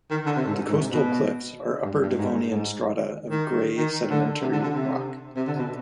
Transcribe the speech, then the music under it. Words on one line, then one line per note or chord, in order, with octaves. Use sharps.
The coastal cliffs are Upper Devonian strata of grey sedimentary rock.
D#3
D3
C3
G#2
G#2
C3
B2
G2
G2
G#2
G#2
D#3
D#3
D3
C3
D3
D3
C3
C3
D3
B2